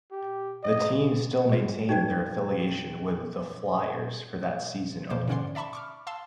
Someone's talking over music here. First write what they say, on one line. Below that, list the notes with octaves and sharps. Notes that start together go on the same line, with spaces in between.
The team still maintained their affiliation with the Flyers for that season only.
G4
D#5
G#3 F4
D#4 F#4 B4 D5 G5
B2 A#3 C5 D6
G#2 D3 C#4 D5 F#5 C6
D5 E5 A5 B5 C#6
C#6 D6 F6
F5 A5 C6 E6